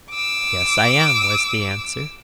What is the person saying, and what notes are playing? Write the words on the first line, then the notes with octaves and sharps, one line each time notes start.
'Yes, I am,' was the answer.
D6 E6